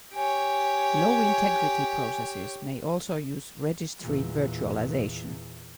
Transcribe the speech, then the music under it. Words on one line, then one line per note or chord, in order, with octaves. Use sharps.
Low integrity processes may also use Registry virtualization.
G4 C#5 G#5
E2 A#2